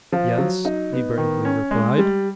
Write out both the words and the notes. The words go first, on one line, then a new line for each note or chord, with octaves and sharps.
"Yes," he bravely replied.
F3
F#3
D#4
B3
D#3
C#4
G#3
G3